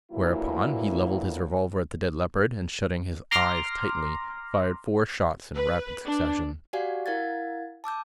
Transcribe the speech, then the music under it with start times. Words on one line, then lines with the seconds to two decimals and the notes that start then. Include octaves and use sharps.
Whereupon he levelled his revolver at the dead leopard, and shutting his eyes tightly, fired four shots in rapid succession.
0.12 D2 A#2 E3 F#3 E4
3.31 A#5 C6 D6 F6 A#6
5.55 B4
6.05 D4
6.73 F#4 G4 D5 F5 F#5 G#5
7.06 E4 A#4 F5 F#5 G#6 A6
7.84 A5 D6 E6 G6